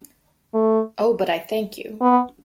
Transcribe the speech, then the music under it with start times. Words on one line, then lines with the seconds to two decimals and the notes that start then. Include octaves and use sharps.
Oh, but I thank you!
0.54 A3
2.01 B3